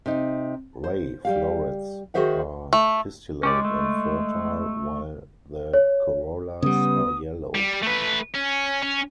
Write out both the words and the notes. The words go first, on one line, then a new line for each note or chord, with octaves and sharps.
Ray florets are pistillate and fertile while the corollas are yellow.
C3 D#4
C5
G3 G4 F5
D#3 F#4 G#4 C5 E5 F#5
A3
G#3 C#4 G4 D5
A3
C#5
C#3 G3 B3 D#6
G3
A3 B4
C#4
C#4